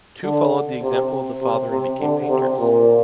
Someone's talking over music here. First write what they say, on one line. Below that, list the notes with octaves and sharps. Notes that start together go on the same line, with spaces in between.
Two followed the example of the father and became painters.
D3
C3
C3
C3
D3
C3
A#2